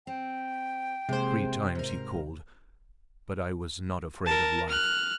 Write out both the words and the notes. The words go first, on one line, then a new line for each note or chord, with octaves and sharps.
Three times he called--but I was not afraid of life.
C4 G5
C3 G#3 A#3 C5
G#2 A#4
A#4 A5
F6 F#6